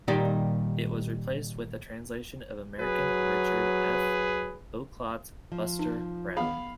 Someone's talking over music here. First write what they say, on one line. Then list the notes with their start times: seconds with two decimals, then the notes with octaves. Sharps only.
It was replaced with a translation of American Richard F. Outcault's "Buster Brown".
0.08 A#2 D#3 G3 D#4 G4
2.79 F#3 G#4 B4
5.52 F3
5.79 D#4
6.37 B3 G#4 F5 B5